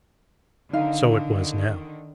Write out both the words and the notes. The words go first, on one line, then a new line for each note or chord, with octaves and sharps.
So it was now.
D3 D#3 D#4 B4 F5